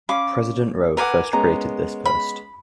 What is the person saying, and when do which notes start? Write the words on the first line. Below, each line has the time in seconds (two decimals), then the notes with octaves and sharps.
President Roh first created this post.
0.09 C#4 F5 B5 D6
0.97 A#4 B4 F#5 G#5 D6
1.33 G#3 B3 C#4 A#5
2.06 B5